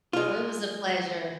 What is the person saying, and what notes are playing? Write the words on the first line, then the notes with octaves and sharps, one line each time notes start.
Oh, it was a pleasure.
G#3 F4